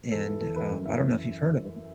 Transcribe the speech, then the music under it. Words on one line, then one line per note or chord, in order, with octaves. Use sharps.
and, um I don't know if you've heard of him.
E2 A4
E3
E2 A4
E3 B4
F#2
E3 E5